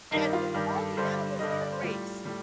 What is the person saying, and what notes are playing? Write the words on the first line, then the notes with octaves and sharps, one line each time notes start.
and with all the animals in the race,
G2 D#3 G3 D#4
F4
G2 D#3 G3
A4
G2 D3 G3 C5
G2 D3 G3 D#5
D#5
D5
C5
A2 G3 F4
A2 G3